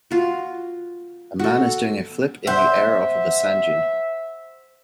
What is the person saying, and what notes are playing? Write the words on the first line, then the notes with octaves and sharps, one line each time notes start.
A man is doing a flip in the air off of a sand dune.
F4 F#4
F#4 A4
C5 E5 F#5